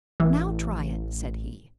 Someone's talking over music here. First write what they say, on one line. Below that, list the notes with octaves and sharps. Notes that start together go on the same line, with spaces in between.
"Now try it," said he.
A1 E3